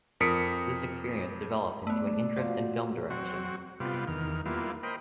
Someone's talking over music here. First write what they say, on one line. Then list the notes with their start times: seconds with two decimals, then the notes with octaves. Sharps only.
This experience developed into an interest in film direction.
0.20 F2 A#4 D#6 B6 C#7 D7
1.87 A3 B3 D5
2.36 B2 F3 A#5
3.10 F#3 C4 F#4
3.80 C3 G3 B3 F4
4.08 E2 D#3 F6
4.46 G3 A#3 B3 E4 F4
4.83 A#4 C5 D#5 G5 B5